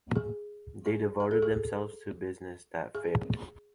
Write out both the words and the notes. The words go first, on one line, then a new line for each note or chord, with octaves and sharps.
They devoted themselves to business that failed.
G#4
G#4
G#4
A4
G#4
G#4